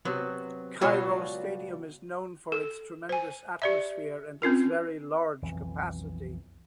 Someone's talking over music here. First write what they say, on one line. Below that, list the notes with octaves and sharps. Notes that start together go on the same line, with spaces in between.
Cairo Stadium is known for its tremendous atmosphere and its very large capacity.
C3 F#3 B3
C#2 B2 F#3 G3 F4 C#5
A4
C5 G#5
G4 D5 E5
C4 C#4 F4 A#4
B1 F2 E3